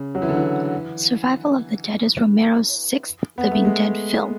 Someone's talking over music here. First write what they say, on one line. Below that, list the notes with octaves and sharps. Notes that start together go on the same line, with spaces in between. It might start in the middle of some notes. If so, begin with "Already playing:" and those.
"Survival of the Dead" is Romero's sixth "Living Dead" film.
Already playing: C#3
F#3
E3
D3
E3
B3
A3
G#3